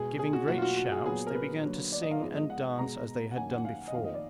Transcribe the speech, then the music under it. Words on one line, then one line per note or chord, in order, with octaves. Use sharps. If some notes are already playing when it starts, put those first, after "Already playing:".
Giving great shouts, they began to sing and dance as they had done before.
Already playing: B2 G#3 B3 G#4
G#4
F#4
B2 F#3 A#3 F#4
F4
F#4
F#4
G#4
A#2 F#3 B3 G#4
A#4
B4
D3 F#3 A#3
D5
D#5
F5
G#2 F3 G#3 B3
D#5
F#5
B2 G#3 B3 A#5
F#5
F#2 D#3 A#3 G#5
F#5
F5
D#5
F2 D#3 A#3 F5
D#5
D5